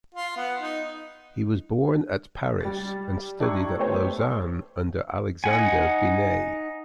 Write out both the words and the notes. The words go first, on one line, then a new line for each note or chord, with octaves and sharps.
He was born at Paris, and studied at Lausanne under Alexandre Vinet.
F4
B3
D#4
G3 A6
D4 E4 G4 A#5 C#6 G#6
A3 B3 G4 C5 C#5
D#4 F#5 G#5